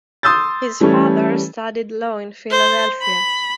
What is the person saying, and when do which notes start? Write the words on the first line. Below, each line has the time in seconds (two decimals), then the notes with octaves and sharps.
His father studied law in Philadelphia.
0.23 C6 D#6 E6 G6 A6
0.80 E3 G3 A3 C#4
2.51 C5
3.02 B5